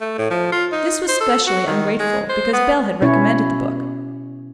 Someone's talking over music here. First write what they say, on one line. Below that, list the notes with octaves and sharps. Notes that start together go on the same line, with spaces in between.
This was specially ungrateful, because Bell had recommended the book.
A3
A2
F3
F4
D#4
C5
A4
F#4
D#3
G#3
C5
B3
B2 C#4 E4 C#5